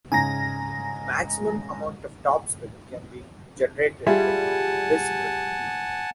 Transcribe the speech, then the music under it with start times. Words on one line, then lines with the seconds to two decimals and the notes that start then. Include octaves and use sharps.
The maximum amount of topspin can be generated with this grip.
0.12 G#2 C#3 G#5 A#5 A#6
4.07 G3 F4 G#4 E5 F#5 G#5 A5